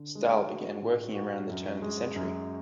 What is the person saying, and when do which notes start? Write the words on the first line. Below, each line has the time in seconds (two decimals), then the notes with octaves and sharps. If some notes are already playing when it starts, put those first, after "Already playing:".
Staal began working around the turn of the century.
Already playing: D3
0.15 G#3
0.48 F#4
0.82 A2
1.15 F#4
1.49 F#2
1.82 G#3
2.16 F#2